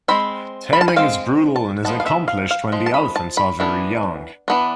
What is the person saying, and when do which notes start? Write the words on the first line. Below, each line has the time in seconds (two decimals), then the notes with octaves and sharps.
Taming is brutal and is accomplished when the elephants are very young.
0.08 G#3 C4 B5
0.73 B5
0.81 A5
0.88 G#5
0.96 G#3 C4 F5
1.56 A5
1.85 F3 G#3 B3 A5
2.00 F5
2.06 E5
2.28 F5
2.51 F5
2.72 F3 G#3
2.86 A5
2.94 B5
3.16 A5
3.37 B5
3.60 E3 B3 D4
4.48 E3 B3 D4